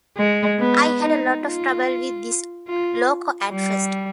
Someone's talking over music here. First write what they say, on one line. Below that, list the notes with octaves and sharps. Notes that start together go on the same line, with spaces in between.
I had a lot of trouble with this loco at first.
G#3
B3
D#4
F4
F4
G3